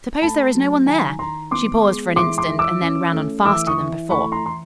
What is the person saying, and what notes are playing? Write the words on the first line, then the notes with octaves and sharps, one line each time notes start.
"Suppose there is no one there?" She paused for an instant and then ran on faster than before.
A3 A5 B5
F#3
D#3 G#5 A#5
D#3 A#5 C6
B3 C6 D6
G#3
E3 C6 D6
C6 D6
E3
D6 E6
C#4
A3
E3 D6 E6
C#6 D#6
E3
A3 B5 C#6
A#5 C6
E3 C6